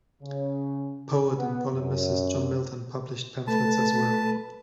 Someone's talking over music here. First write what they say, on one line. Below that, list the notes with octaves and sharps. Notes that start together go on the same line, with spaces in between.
Poet and polemicist John Milton published pamphlets as well.
C#3
B3
F#2
A3 B4 A5